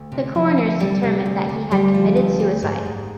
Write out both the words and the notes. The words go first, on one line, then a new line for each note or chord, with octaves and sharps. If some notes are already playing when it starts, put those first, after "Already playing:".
The coroners determined that he had committed suicide.
Already playing: D2
C3
F3
D2
C3 G3
C3
D2
D2
D2 G3
F3
D2
D2
G#2
G#2